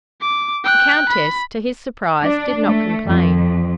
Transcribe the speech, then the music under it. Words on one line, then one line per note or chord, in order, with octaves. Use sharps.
The Countess, to his surprise, did not complain.
D6
G5 F#6
B5
D4
A3
F2